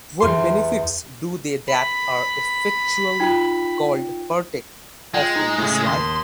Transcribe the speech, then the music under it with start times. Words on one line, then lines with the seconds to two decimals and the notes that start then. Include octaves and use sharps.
What benefits do they that are effectually called partake of in this life?
0.20 E2 C6
1.68 B5
3.20 D#4 F4 G5
5.14 G#3 F4 G5
5.36 D#4
5.58 A2 C#3
5.87 D#2 C6